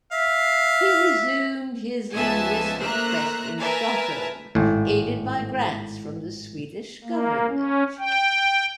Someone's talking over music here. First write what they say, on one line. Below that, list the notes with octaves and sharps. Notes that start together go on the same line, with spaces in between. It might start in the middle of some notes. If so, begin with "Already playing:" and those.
He resumed his linguistic quest in Stockholm, aided by grants from the Swedish government.
E5 F5
C#2 F3 B3 E5 G#5 A5
A3 A#3 C5 E5 A#5 F#6
A#4 B4 E5 G#5 A5
G#1 A2
A#3
C#4
G5